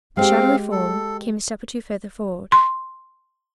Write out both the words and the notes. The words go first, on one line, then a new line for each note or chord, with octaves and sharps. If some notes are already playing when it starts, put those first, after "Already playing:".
The shadowy form came a step or two further forward.
G#3 C4 G4 F5
A4
C6